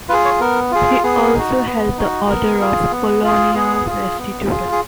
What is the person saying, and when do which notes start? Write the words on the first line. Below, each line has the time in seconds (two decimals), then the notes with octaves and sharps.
He also held the Order of Polonia Restituta.
0.09 F4 B4
0.13 G#4
0.25 C#5
0.40 B3 A#4
0.71 F4 G#4
1.03 B3 G#4
1.34 D#4 F#4
1.66 B3
1.97 D#4 F#4
2.29 B3 A#4
2.60 F4 G#4
2.91 B3
3.23 F4 G#4
3.55 B3 G#4
3.86 F4 G#4
4.18 B3
4.49 F4 G#4
4.72 G#4